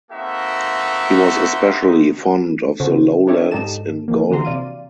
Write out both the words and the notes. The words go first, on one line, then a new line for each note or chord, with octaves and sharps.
He was especially fond of the lowlands in Golm.
A#3 C4 D#4 F#4 A4 E5
C#3 C#4 F#4 A4 C5
D4 A#4 C#5 D5 E5 G5
G#2 D#4 G4 A4 A5 E7
D#3 F3 A#3
D3 E3 F#4 A#5 C6
C3 D5 F5 D#7